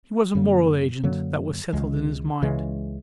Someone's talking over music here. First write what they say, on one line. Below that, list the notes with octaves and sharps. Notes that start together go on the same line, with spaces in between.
He was a moral agent--that was settled in his mind.
F#2 D3 F#3 A#3
F#2 D3 F#3 A#3
C#2 C#3 E3 G#3
C#2 C#3 E3 G#3